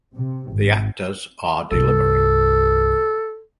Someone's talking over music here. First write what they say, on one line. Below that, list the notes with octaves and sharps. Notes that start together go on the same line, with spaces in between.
The actors are delivering.
C3
G#1
C2 G2 A4